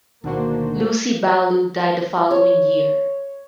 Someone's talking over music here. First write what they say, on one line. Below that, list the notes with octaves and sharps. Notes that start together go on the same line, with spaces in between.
Lucy Ballou died the following year.
D2 B2 D3 D#3 A#3 D4 F#4 C5
C#5 C#6